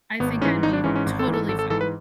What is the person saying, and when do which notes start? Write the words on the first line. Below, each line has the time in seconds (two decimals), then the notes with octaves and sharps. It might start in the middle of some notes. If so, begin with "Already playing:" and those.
I think I'd be totally fine.
0.20 G#1 B3
0.41 G#2 C#4
0.45 E3
0.63 G#1 D#4
0.73 D4
0.84 G#2 E3 C#4
0.96 C#4
1.06 G#1
1.19 A4
1.27 G#2 E3
1.34 A4
1.48 G#1 A4
1.59 A4
1.70 G#2 E3 A4
1.81 B4